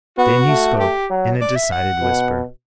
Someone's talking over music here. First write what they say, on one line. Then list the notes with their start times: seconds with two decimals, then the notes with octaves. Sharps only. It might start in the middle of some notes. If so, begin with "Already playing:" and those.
Then he spoke in a decided whisper.
0.18 B3 F#4
0.48 A3
0.79 G4
1.10 F#3
1.41 D5
1.56 E5
1.72 F#5
2.02 B2